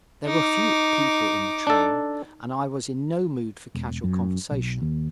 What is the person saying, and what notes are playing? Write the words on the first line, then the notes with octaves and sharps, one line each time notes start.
There were few people in the train, and I was in no mood for casual conversation.
D#4 D6
D4 A4
E1
F#2
B1
D#2